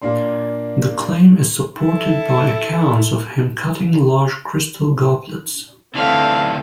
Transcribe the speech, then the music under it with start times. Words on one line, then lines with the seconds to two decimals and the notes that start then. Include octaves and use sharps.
This claim is supported by accounts of him cutting large crystal goblets.
0.02 A#2 A#3 D4 C6
1.79 E4 A4
5.96 D2 E3 C4 A4 F5